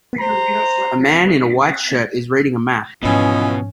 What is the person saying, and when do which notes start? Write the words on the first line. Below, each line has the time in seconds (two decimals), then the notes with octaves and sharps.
A man in a white shirt is reading a map.
0.20 C5 A#5
3.02 G#2 B2 E3 F3 C#4 F4 D#5